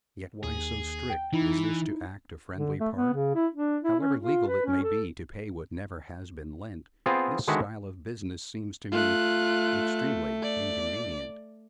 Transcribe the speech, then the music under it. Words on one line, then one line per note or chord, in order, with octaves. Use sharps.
Yet why so strict? Is this to act a friendly part? However legal it may be To pay what never has been lent, This style of business seems to me Extremely inconvenient!
D#2 G#4
G5
E3 D#4 E4
D3
A3
B3
C#3
E4
D4
E4
C#4
F4
B4
C#4
A4
B3 C4 F4 G#4 F5
D3 D#3 G#3 B3 F#4 E5
A3 F4 F#6
D5